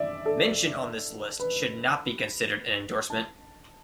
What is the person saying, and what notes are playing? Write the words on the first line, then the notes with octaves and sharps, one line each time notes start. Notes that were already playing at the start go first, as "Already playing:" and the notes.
Mention on this list should not be considered an endorsement.
Already playing: D5 E5
A4
B4
A5